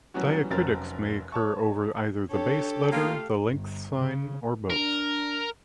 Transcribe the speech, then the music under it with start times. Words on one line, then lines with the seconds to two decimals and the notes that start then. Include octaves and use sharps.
Diacritics may occur over either the base letter, the length sign, or both.
0.14 E3 F#3 G3 B3 C#4 F#4
0.51 F1 F#3 C#4 A#4 C5 A6
1.32 C#5 A5 C#6
2.30 D4 G4 A4 C#5
2.92 A3 A#3 F4 F5
3.50 G1
3.99 C#3
4.70 D4 A#4